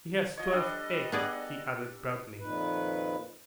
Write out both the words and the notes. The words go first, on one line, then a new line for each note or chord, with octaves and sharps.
"She has twelve eggs," he added proudly.
F3 C#5 D#5
G3 D4 A4
B3 D4 G#4 D5
F2 A#2 D#3 B4